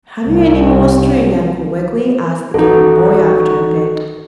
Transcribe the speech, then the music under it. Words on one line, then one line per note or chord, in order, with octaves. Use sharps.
"Have you any more string, Uncle Wiggily?" asked the kitten boy, after a bit.
C2
A1 D#4 F#4 A4